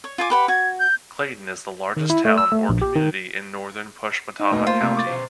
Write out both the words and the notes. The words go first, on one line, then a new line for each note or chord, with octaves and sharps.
Clayton is the largest town or community in northern Pushmataha County.
C#5
F4 G#5 D6
G4 B4 F#5 B5
F#4 G#6
G6
D#3
E4
A3
E6
A3
A#1
G4
D#3
D#4
D#2 B2 A3 A#3 D#4
F4 C5
C3
C#6 D6 A6
B2 C5